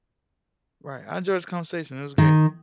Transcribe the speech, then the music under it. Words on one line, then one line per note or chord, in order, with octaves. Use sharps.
Right. I enjoyed this conversation, it was great.
D#3